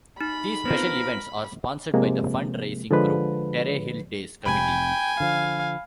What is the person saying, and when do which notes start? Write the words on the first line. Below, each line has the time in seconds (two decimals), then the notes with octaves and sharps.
These special events are sponsored by the fund raising group Terre Hill Days Committee.
0.21 D#4 B5
0.65 B3 C4 F4 A#4
1.94 C3 F3 G#3 A#3
2.91 D3 F3 G#3 B4
4.46 F1 C3 G5 G#5 B5
5.20 D3 F3 F5